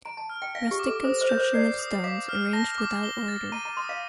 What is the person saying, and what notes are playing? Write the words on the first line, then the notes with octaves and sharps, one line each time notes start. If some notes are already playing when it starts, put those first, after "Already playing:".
Rustic construction of stones arranged without order.
A#5 D7
A5
F6
G5
F5 A#6
G4
D6
A4
C5 D#6
C5
A#4 G6
C5
D5 C7
D#6
F5 D6
F6
A5 A#6
D6
G7
A6
A#5 D#7
A#5
C6 D#6
F5